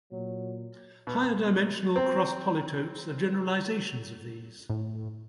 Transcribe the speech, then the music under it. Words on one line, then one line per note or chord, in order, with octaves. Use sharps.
Higher-dimensional cross-polytopes are generalizations of these.
A#2 F#3
B2
C4
A2